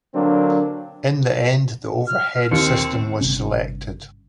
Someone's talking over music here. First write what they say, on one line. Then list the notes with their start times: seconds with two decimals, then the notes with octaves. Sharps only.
In the end, the overhead system was selected.
0.15 D3 F#3 A#3 C4 D4
2.07 F6
2.51 D#2 C4 C#7
3.21 G1 C3 C#4